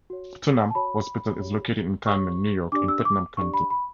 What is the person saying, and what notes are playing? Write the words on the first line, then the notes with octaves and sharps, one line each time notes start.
Putnam Hospital is located in Carmel, New York in Putnam County.
F#4 C#5
A5
F#4 C#5 B5
G4 C#5
G4 C#5 C#6
D4 G4 D5 D6
E6
D6
D4 G4 D5 C#6
B5
B5